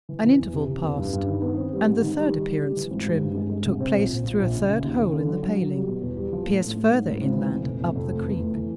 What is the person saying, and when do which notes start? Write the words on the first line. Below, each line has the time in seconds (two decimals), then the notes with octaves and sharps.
An interval passed, and the third appearance of Trim took place, through a third hole in the paling, pierced further inland up the creek.
0.09 E3
0.24 E3
0.39 E2
0.53 C3
0.68 C3
0.82 E2
0.98 G2
1.13 G2
1.28 D#3
1.42 B3
1.57 C4
1.73 G3
1.87 G#2
2.02 D#3
2.17 G3
2.32 G3
2.46 G3
2.61 G3
2.76 E3
2.90 G#1
3.06 G2
3.21 G2
3.35 G#3
3.50 G#3
3.65 C2
3.80 C4
3.95 A#1
4.09 A#1
4.24 A#1
4.39 A#1
4.54 C#3
4.69 C#3
4.84 D#2
4.99 C#3
5.14 D3
5.29 F#3
5.43 F#3
5.58 F#3
5.73 G3
5.87 B2
6.02 E2
6.17 G3
6.33 F3
6.46 A2
6.62 A2
6.76 A2
6.92 G#2
7.06 G#1
7.21 G#1
7.37 E3
7.51 F1
7.65 F1
7.80 F1
7.96 F2
8.11 A3
8.25 E2
8.40 A3
8.54 E3